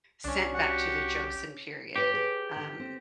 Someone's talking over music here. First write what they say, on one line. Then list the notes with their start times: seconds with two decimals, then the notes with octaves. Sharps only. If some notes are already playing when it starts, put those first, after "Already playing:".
sent back to the Joseon period, um,
0.24 C2 C#4 D4
0.54 F#4 G4 F#5 C#6
1.96 G4 B4 C#5
2.10 G#4 C#5
2.56 D3
2.80 C4